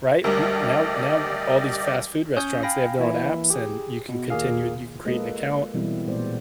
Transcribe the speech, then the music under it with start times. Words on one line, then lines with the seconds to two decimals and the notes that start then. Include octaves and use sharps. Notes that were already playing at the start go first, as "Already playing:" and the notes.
Right? We now now all these fast food restaurants, they have their own apps, and you can continue you can create an account,
0.24 D2 G3 G4 A#4 D5 D#5
2.37 C#4 C#5 D#6 G6
2.63 F5 G5 G#5 B5 A#6
2.99 E3 A#3 E4
3.50 G4 G#4
4.09 B2
4.30 D#2 A#2 A#3 G#4 F5
5.05 G#3 A#3 F4 A4 B4 D#5
5.74 B2 E3 G3 B3 C4 E4
6.07 A#2 G#3 B3 C5 D5